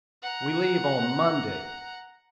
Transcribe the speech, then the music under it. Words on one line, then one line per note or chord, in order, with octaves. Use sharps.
"We leave on Monday."
F#5 A#5